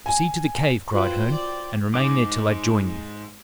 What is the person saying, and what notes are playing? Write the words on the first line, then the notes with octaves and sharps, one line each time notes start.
"Proceed to the cave," cried Herne, "and remain there till I join you."
G#5
F4 F#4 B4 C5 F5 G5
D5
G#2 D6